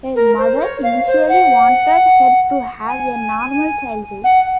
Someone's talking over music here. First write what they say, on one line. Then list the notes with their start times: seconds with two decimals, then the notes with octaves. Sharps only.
Her mother initially wanted her to have a normal childhood.
0.15 A#4
0.38 C5
0.61 C#5
0.83 F5
1.06 C5
1.29 F#5
2.88 G#5
4.24 F#5